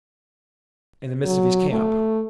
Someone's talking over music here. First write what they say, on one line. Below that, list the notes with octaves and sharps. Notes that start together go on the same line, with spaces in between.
"In the midst of his camp."
F#3
A3